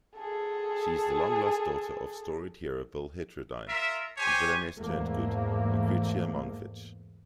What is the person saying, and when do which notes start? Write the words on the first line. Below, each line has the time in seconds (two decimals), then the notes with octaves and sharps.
She's the long-lost daughter of storied hero Bill Heterodyne and villainess-turned-good Lucrezia Mongfish.
0.16 G#4 A4
3.68 F4 A#4 E5
4.17 G4 C5 C#5 G#5
4.75 E2 G#2 A3 A#3